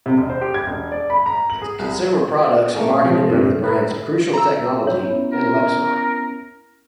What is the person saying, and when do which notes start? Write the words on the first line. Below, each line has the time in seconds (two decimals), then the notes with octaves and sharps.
Its consumer products are marketed under the brands Crucial Technology and Lexar.
0.06 C3
0.17 E1
0.30 C5
0.41 G4
0.54 G#6
0.67 E1
0.92 D5
1.10 B5
1.26 A#5
1.50 F#7
1.62 G#4
1.79 C2
2.75 A3 A#3 C#4
3.02 C3 F3
3.30 G2 C3
3.64 E4 A#4 B4
4.34 A#5 E6
4.87 D#4 C#5
5.04 B3 C#4 E4
5.32 A#4